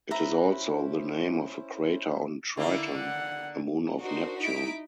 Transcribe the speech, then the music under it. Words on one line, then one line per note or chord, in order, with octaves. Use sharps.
It is also the name of a crater on Triton, a moon of Neptune.
C#4 E4 B4 C5 E5 A#5
D3 A#3 E4
F#5
D4 D#4 F#4 A#4 C5
D#4 E4 B6 D7